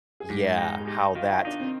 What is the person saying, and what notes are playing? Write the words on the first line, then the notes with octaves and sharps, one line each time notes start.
yeah, how that
G#4
G#2 G4
D#4 G#4
G#4
D#4 G4
D#3 F4
D4 D#4
C4